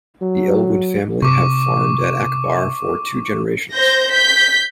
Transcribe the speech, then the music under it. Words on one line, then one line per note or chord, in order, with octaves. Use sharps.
The Ellwood family have farmed at Akebar for two generations.
F#3
C3 C#6 D6
C5 G6 A#6
G6 B6